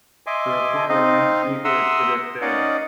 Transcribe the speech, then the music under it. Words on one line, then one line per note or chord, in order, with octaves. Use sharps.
The report remains secret to this day.
D#5 E5 G#5 C6 D6
C4 D#4 D#5 F5
E5 F#5 A#5 C6 D#6 E6
C#4 D#4 D5 D#5 F5 F#5